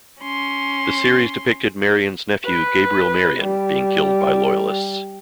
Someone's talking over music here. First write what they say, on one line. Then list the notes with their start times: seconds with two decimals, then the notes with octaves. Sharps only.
The series depicted Marion's nephew Gabriel Marion being killed by Loyalists.
0.21 C#4 C6
2.46 B4
3.41 G3